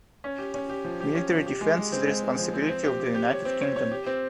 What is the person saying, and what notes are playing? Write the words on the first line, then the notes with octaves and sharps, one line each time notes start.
Military defence is the responsibility of the United Kingdom.
C#4
G4
C#4
G4
F3
G4
C#4
F3
G4
G#3
G#3
C4
G#3
C4
F3
C4
C4
G4
G4
G4
C#5
C4
C#5
C#5
G4
C4